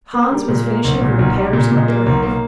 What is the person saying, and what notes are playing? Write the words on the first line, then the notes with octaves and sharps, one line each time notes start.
Hans was finishing the repairs of the raft.
A#3
G3
A#2
A#3
B1
A#2
B1
G3
A#2
A#2
A#3
B1
A#3